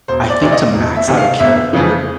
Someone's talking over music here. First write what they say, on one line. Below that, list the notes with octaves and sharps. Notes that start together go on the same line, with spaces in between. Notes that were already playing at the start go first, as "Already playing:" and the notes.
I think to max out a character,
E1 C5
D5
D2 C3 D#3 D5
D#5
E1
E5
D2 C3 D#3
F5
G1 E5
F2 C#3 E3